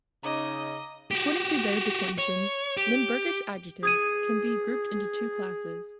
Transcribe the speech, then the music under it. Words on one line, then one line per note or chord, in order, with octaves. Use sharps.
According to their declension, Limburgish adjectives can be grouped into two classes.
C#3 D#4 D#5 A#5 D6
F#4 G4
C#5
G4
G#4 D#6 G#6 D#7